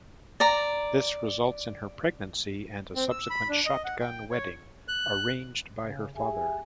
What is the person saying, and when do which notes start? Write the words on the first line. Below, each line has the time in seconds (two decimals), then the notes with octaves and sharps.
This results in her pregnancy and a subsequent Shotgun wedding arranged by her father.
0.40 D5 A#5
2.96 C4
3.10 E6
3.30 B5
3.49 D4
3.66 D#5
3.84 F#5
4.01 G5
4.31 C#5
4.88 F#6
5.85 C#3
6.15 G4 G#4 E5 G#5